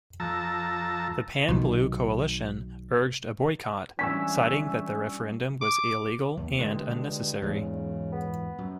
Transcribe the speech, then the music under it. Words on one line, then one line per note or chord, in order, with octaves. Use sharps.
The Pan-Blue Coalition urged a boycott, citing that the referendum was illegal and unnecessary.
F2 A5 A#5 E6
B1 B2 D#3
E3 G3 C#4 D4 G#5 C#6 E6 B6
D6
D#2
G2 D3 G#3
E2 G#2 C#3
B3
F#2